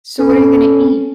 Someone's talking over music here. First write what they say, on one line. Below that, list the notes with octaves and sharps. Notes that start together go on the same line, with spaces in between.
So what are you gonna eat?
C#4 A4